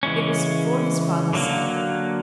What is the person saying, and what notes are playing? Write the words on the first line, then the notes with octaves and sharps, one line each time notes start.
It was for his father's sake.
C#3 E3 G#3 C#4
D3 F#3 A#3